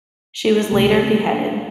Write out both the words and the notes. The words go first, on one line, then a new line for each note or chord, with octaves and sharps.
She was later beheaded.
D2 C3 A3 C4
A3 C4
A#3 D4